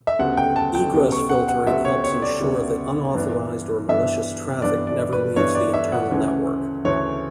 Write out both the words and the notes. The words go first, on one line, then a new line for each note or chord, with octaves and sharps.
Egress filtering helps ensure that unauthorized or malicious traffic never leaves the internal network.
E5
D2 C#3 G3 B3 F#5
G5
A5
G5
D2 C#3 G3 B3
C#6
F#5
F#5
D2 C#3 G3 B3 E5
C#5
C#5
D5
D2 C#3 G3 B3
G2 E3 B3 D4
G2 E3 B3 D4 E5
G2 E3 B3 D4 D5
D5
B4
G2 E3 B3 D4 C#5
D5
E5
F#5
D2 C#3 E3 A3 C#4
D2 C#3 E3 A3 C#4 C#5